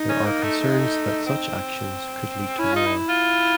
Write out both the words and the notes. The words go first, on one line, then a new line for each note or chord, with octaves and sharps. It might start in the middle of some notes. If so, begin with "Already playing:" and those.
There are concerns that such actions could lead to war.
Already playing: D#4
C#4
A#3
A3
A3
G#3
A3
C4
C#4 E4
D#4 F4
E4
F4